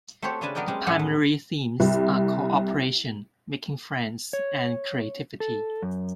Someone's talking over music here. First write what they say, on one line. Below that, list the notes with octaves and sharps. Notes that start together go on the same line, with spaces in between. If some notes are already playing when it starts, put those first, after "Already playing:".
The primary themes are cooperation, making friends, and creativity.
A3 C4 F#4 G4 C5 C#5
C#3 C#4 D4 B4 G#5 A5
F#3 B3 A#4 D5 D#5 G5
G#3 C4 C#4 F#4 G4
A2 G#3 B3 C#4 F#4 F#5
E2
C2
C#5
A4
F#2